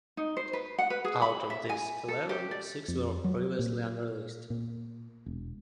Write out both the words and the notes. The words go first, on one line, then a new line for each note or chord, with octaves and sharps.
Out of these eleven, six were previously unreleased.
D#4
C5
B4
F#5
B4
G#4
B5
E5
G#5
A4
G4
D5
F2
F#3
A#2
A#2
E1